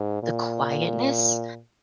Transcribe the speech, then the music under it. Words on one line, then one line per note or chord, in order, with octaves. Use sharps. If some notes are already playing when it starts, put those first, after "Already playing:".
the quietness
Already playing: G#2
A#2